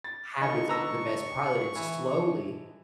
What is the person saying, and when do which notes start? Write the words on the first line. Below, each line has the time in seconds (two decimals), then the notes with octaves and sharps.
habits of the best pilot, and slowly
0.04 A6
0.41 D3 D#4 C#6
0.69 B3 A#5 E6
1.76 E3